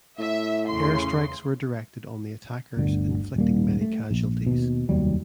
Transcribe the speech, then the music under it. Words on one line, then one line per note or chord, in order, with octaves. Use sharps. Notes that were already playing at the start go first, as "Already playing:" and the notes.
Air strikes were directed on the attackers inflicting many casualties.
A2 E5
E2 C#3 C6
G1 D2 D3
D#1 G3 A#3
A3
A#1
D#2 B2
F1 D#2 F#3 G3